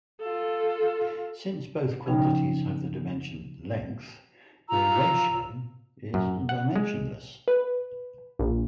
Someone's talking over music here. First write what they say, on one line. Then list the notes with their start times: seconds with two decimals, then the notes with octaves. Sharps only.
Since both quantities have the dimension "length", their ratio is dimensionless.
0.20 F4 A4
2.06 C#3 F3 C#4 D#4 G5
4.69 F4 A#5 E6
6.14 F#2
6.49 F#5
6.76 G#3
7.48 B4
8.39 A#1